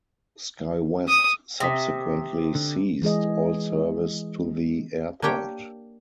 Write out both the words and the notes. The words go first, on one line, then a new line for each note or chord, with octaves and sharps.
SkyWest subsequently ceased all service to the airport.
D#6
C3 G5 D#6 B6
D3
E3 G#3 G#4 D#5
A#3 D4 G4 C#5 G5